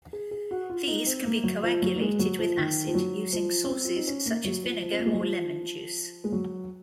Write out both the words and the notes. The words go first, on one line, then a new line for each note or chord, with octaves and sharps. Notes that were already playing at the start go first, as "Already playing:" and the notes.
These can be coagulated with acid using sources such as vinegar or lemon juice.
G#4
G#4
F#4
F4
D#4
C4
A#3
F#3
F3
F#3
A#3
G#3
F#3
F3
D#3
F3
F#3
F3
C#4
C4
F4
D#4
C#4
A#3
F#3
F3
F3
C4
A#3
G#3
F#3
F3
G#3
F#3